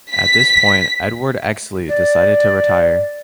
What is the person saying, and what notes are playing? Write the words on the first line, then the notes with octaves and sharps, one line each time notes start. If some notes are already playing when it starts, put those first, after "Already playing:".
At this point Edward Exley decided to retire.
B6
D5